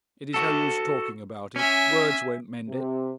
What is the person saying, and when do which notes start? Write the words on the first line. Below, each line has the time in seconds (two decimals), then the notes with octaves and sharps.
It is no use talking about it, words won't mend it.'
0.34 F#4 A4
1.56 C#4 E5 G#5
2.69 C3